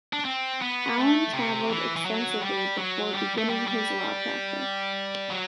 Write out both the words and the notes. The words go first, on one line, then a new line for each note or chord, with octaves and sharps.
Allan travelled extensively before beginning his law practice.
D4
C4
B3
A3
C3
E3
E3
F#3
G3
F#3
G3
A3
G3
G3
F#3